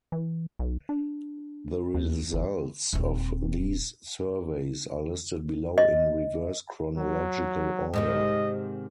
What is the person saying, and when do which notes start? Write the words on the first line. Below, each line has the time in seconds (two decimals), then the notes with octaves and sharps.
The results of these surveys are listed below in reverse chronological order.
0.12 E3
0.59 B1
0.89 D4
1.94 D#2
2.34 G1
2.93 D#1 C4
5.78 D#5
6.98 F#3
7.94 G#2 C3 D#3 D#5